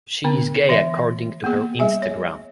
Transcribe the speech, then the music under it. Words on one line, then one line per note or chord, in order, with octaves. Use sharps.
She is gay according to her Instagram.
D3 B3 D4
E3 D5 E5
A#3 B3 G#4
G3 G#4 E5 G#5
C#5